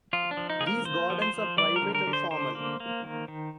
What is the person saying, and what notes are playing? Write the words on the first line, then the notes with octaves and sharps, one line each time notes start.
These gardens are private and formal.
F3 F4
D4
F3
D#4
A#3 G#4
A#4
A#3 C5
F3
C5
F3
G3 D5
A#4
D3
A#4
D3
C5
D3 C5
A#3
A#3
D#3
D#3